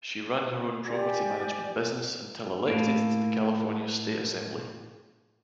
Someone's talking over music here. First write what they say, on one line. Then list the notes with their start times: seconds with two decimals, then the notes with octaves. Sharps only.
She ran her own property management business until elected to the California State Assembly.
0.88 G4 D5 G#5
2.67 A2 A#3